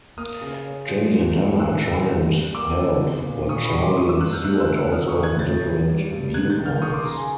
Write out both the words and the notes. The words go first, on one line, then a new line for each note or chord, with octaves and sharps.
Jenny and Hannah try and help but Charlie and Stuart also have different viewpoints.
A#3 D#6 F6
C#3
C#4
F3
A3
A2
A2 E6 F#6
E3
G3
G2
A#3 D6 E6
D3
B3
A#2
A#2 C#6 D#6
B5 C#6
G3
C6 D6
F#3 C#6 D#6
D6 E6
G2 E6 F#6
F6 G6
A3 E6 F#6
E6 F#6
D3
E6 F#6
A#3 D#6 F6
C#6 D#6
A2
F#6 G#6
C#4 G6 A6
F#3
G3
G2
B3 F#6 G#6
G6 A6
D#3
F6 G6
A#3 C#6 D#6
C6 D6
C#3 A#5 C6
G#5 A#5